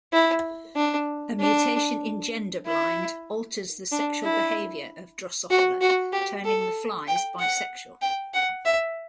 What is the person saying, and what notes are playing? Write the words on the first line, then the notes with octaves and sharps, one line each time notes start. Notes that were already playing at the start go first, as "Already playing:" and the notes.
A mutation in Genderblind alters the sexual behavior of "Drosophila", turning the flies bisexual.
E4
D4
D4
E4
D4
E4
F#4
F#4
G4
A4
G5
F#5
G5
F#5
E5